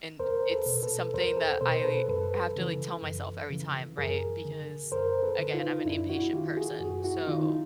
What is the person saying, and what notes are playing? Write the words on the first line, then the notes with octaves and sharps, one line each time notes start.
And it's something that I have to, like, tell myself every time, right, because, again, I'm an impatient person, so
E2 A#4 C5
A4 B4
B2
A4 B4
E2 A#4 C5
A4 B4
B2 A#4 C5
A4 B4
F#2 A4 B4
C#3 E3
F#2
C#3 E3
F#2 G#4 A#4
D3
F#2 A#4 C5
A4 B4
D3
D#4 F4
F#2 D4 E4
E4 F#4
D#3 F4 G4
F#4 G#4
F#2 F#4 G#4
E4 F#4
D#3 D#4 F4